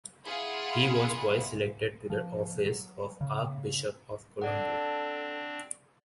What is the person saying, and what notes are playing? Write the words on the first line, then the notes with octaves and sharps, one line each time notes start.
He was twice elected to the office of Archbishop of Colombo.
E4 F4 G#4 F#5 B5
F3
F#3
C#3
C4 D4 A4 D5 F#5